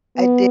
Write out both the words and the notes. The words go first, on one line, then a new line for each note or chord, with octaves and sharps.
I did
B3